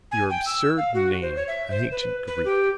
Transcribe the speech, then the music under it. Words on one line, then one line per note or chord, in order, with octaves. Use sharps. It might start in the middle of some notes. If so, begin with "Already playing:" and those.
Your absurd name, an ancient Greek!
G#5
G5
E6
F5
F#4
C5
C#5
E5
C5
B4
B4
G4